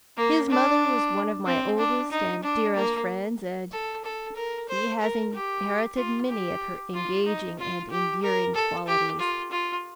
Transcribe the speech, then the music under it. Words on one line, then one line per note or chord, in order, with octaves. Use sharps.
His mother was one of my oldest and dearest friends, and he has inherited many of her engaging and endearing qualities.
A#3
D4
C4
D4
D#4
D4
A#3
A4
A4
A#4
C5
A#4
G4
F4
G4
F4
D#4
F4
G4
A#4
A4
G4
F4
F4